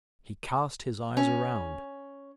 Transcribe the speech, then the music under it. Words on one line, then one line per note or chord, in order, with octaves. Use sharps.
He cast his eyes around.
C#4